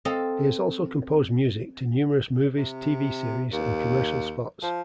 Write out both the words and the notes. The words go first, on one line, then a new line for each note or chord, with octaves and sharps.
He has also composed music to numerous movies, tv-series and commercial spots.
C4 A4 D#5 F5
C3
D#2
F3